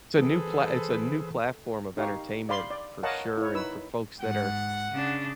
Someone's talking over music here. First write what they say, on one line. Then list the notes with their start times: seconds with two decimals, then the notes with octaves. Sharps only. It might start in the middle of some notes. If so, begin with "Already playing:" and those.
It's a new pla it's a new platform of entertainment for sure, and for folks that are
0.17 E3 G#4 A4 B4 C5 E6
1.97 D#4 G4 F5 C#6
2.49 D5 F5 B5 C6
2.70 D5
3.03 A#4 C#5 D#5 F5 F#5 A5
3.38 E4 C#5
3.54 D#4 B4 E6
4.20 G#2 F#5
4.91 C#3 D4